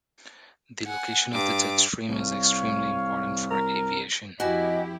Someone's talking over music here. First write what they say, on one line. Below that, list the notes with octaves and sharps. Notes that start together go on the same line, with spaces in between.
The location of the jet stream is extremely important for aviation.
F#5 G#5
G2 D6
C2 C#5 F5
A#4
F2 E4 F#4 G4 D#5 G#5